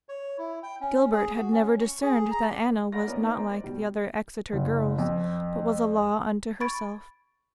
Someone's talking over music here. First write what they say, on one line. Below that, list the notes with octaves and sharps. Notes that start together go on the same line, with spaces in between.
Gilbert had never discerned that Anna was not like the other Exeter girls, but was a law unto herself.
C#5
E4
G5
C#4
G#4
F#4
C#4
C#6
G#4
A#5
D5
D5 F#5 A#5 B5 F6 A#6
B3 C#4 A#4 D5 D#5
A#3 B3 D#4 E5
A#4 C5 D5 D#5 A#5
D5
B2 G3
F#1
F2
B5 C#6 G#6 A6 D7